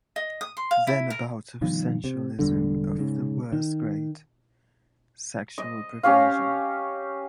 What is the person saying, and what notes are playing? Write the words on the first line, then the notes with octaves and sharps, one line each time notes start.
Then a bout of sensualism of the worst grade, sexual perversion.
D#5
D#6
C6
F5
E4
A#4
G2 B2 D#3 F3
C3
E1 E2 G2 D3
G#2 C#3
D#3
D#5
C#4 G4 C#5 F5